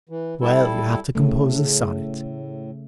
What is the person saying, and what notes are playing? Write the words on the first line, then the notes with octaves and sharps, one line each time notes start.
Well, you have to compose a sonnet.
E3
G3 E4 A4
A2 C#3 A3